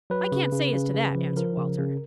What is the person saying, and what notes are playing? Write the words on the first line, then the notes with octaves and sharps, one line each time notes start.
"I can't say as to that," answered Walter.
F#3 B4
C#3
C#3
C#3
C#3
F3
F3 A#4
C#3
C#3